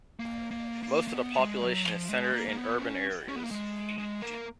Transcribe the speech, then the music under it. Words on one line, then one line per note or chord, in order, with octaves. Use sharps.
Most of the population is centered in urban areas.
A#3
A#3
A#3
A#3
B3
G#3
F#3
F3
G#3
A#3
A#3
B3
C#4
C#4
B3
A#3
G#3
G#3
A#3